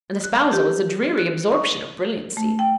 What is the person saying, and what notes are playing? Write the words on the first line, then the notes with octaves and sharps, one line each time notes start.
An espousal is a dreary absorption of brilliancy.
F#6
G4
F#6
C#6
A3
G5